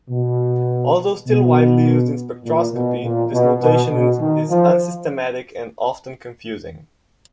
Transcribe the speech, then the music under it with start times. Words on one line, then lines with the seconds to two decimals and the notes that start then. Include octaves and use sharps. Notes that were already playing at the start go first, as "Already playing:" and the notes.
Although still widely used in spectroscopy, this notation is unsystematic and often confusing.
0.10 B2
1.27 B2
2.45 A#2
2.74 B2
3.03 A#2
3.33 B2
3.61 B2
3.90 B2
4.20 D#3
4.49 F3